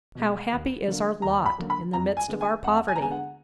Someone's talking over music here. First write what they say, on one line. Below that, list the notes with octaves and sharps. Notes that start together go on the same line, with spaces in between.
How happy is our lot in the midst of our poverty!
B2 G#3
D#2
D3 F#3 A#3
D#2 A#5
B5
D3 F#3 A#3
B5
F2 A#5
G#5
D3 G#3 B3
G#5
F2 F#5
G#5
A#5
D3 G#3 B3 G#5
F#5